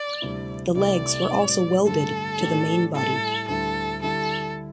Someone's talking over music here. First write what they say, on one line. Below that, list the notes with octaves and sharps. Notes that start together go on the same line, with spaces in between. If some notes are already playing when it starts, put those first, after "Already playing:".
The legs were also welded to the main body.
Already playing: D5
D2 C3 G3 E4
C2 C3 A3 E4 G4 D5
A2 G3 C4
G2 D3 A3 A4
A2 A3 D4 G4
A2 G3 E4 A4
D2 D3 G3 E4 A4
D3 G3 E4 G4 A4